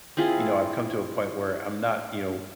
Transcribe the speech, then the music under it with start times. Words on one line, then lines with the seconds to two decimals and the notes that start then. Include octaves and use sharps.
you know, I've come to a point where I'm not, you know
0.17 C4 E4 F4 G#4